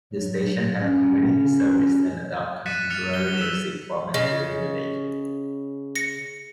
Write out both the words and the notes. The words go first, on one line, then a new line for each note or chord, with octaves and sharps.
The station had a community service and adult contemporary music format during the day.
F#3
C#4
F#6 A6 B6 C#7 D#7 E7
F6 A6 C#7 E7 F7
G7
E6 B6 E7
C#3 D#5
A#6 C#7